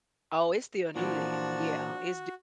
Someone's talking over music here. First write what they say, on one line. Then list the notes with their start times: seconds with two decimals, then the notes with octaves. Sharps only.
Oh, it's still new then, yeah, it's d
0.96 A#2 E3 F3 D4 F#4